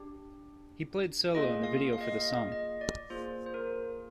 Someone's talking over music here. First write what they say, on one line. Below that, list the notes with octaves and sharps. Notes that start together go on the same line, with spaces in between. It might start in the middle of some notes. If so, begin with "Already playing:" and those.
He played solo in the video for the song.
Already playing: D4 G4
A#3 F4 G#4 D#5
F5
F5
D#5
F5
D#5
D#5
D5
A#3 F4 G#4 C5
C5
A#4